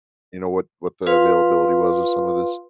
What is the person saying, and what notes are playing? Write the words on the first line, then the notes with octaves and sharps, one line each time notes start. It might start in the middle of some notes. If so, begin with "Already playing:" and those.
you know, what what the availability was of some of this.
F4 B4 F5 C6